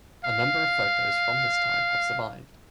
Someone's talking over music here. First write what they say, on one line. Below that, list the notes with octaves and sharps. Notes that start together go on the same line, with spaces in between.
A number of photos from this time have survived.
F5